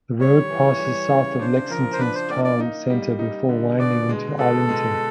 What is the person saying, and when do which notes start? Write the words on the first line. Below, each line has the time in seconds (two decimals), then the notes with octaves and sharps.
The road passes south of Lexington's town center before winding into Arlington.
0.20 G3 C#5
0.50 E3
0.80 G3
1.10 C#3
1.39 D4 C5
1.70 F3 A#4
1.93 C5
1.99 D4 B4
2.15 C5
2.30 A#3 D5
2.44 D5
2.60 D#4
2.90 G3
3.19 D#4
3.49 D3
3.80 B2 D5
4.09 G#3
4.39 B2 A4
4.69 G#3